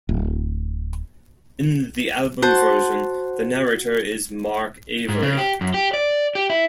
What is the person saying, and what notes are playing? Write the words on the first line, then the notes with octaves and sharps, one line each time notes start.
In the album version, the narrator is Mark Avery.
D1
F#4 C5 F#5 A5
G#2
C#3
G4
F#2
G4
D5
G4
E4